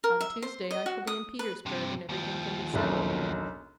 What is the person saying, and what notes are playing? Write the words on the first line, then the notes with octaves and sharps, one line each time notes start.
"On Tuesday I shall be in Petersburg, and everything can be settled."
A#4
E5
C5
D#5
F#4
D#6
B4
G2 C3
D#2 F3
E1 B1 F#2